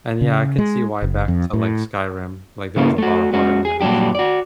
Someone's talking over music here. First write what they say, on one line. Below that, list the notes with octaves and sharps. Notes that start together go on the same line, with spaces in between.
And, yeah, I can see why back to, like, Skyrim, like, there was a lotta heart in that, so
C#3
G#3
F#1
F2
A2
C#3 E3 A3 A#3 C#4
A3 F#4
G#3 C#4 F#4
G#4
A#2 F#3 G3 D4 G4
F#4 D5